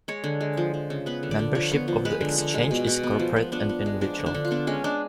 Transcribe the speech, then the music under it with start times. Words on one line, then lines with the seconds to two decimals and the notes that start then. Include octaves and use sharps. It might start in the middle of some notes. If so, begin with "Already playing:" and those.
Membership of the Exchange is corporate and individual.
0.08 G#3 C#5
0.24 D3
0.41 G#3
0.57 F3
0.74 F3
0.90 C#3
1.06 B3 B4
1.23 D3
1.31 D5
1.39 D3
1.55 F3 C#5
1.72 B3
1.88 F3
2.05 G#3 B4
2.21 D3
2.38 D3
2.54 G#3
2.71 B2
2.87 B2
3.03 B3
3.19 F3
3.36 B3
3.52 B3 D4
3.69 B3
3.86 G#3
4.01 F3 D4
4.18 D3
4.26 D4
4.34 D3
4.45 F4
4.51 B3 D4
4.67 G#3 C#4
4.84 G#3 D4